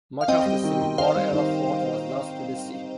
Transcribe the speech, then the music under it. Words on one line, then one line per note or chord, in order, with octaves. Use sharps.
Much of the civil war era fort was lost to the sea.
F5
C4 D#5 G5
G3
D#3
D#4
D#4 C5 F5
G3
D#3